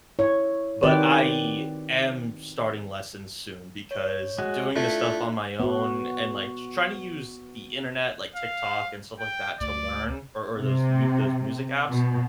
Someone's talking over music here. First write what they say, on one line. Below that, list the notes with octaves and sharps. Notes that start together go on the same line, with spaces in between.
but I am starting lessons soon because doing this stuff on my own and, like, tr trying to use the internet, like TikTok and stuff like that, to learn or or those you those music apps.
E4 C#5
D#3 C4 F#4 G4 B4 D5
C#5
G#3 F#4
A3 D4 E4 F4
B3 F#4
F5
G5
D2 D5
C3
B2